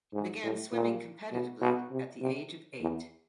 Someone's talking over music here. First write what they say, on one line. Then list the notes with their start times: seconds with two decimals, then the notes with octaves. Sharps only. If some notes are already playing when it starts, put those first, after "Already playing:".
He began swimming competitively at the age of eight.
0.14 G#2
0.43 A2
0.72 A#2
1.32 B2
1.62 B2
1.91 C3
2.21 C3
2.81 E2